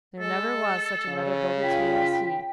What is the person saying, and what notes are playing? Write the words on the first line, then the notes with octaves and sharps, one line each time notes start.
There, never was such another bogatir as he.
G#3 A4
C#3
F4 G5 B5